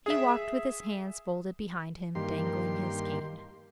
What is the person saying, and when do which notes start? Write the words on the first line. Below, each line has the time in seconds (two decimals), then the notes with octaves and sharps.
He walked with his hands folded behind him, dangling his cane.
0.06 G#4 E5
2.15 G2 D#3 A#3 G4 C6